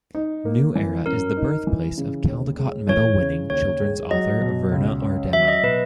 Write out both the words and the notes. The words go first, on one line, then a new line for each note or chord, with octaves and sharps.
New Era is the birthplace of Caldecott Medal-winning children's author Verna Aardema.
D#4
A#3
E3
F#2 A#4
D#4
E3
C#3
D#2
G#3
E3 C#5
C#3
D#2 C#5
G#3
F#3 D#5
B2
C#2
C#4
F#3 E5
D#5
B2 B4